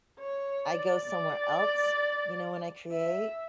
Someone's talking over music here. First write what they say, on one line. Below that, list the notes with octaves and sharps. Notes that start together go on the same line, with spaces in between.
I go somewhere else, you know, when I create.
C#5
D5
D5
E5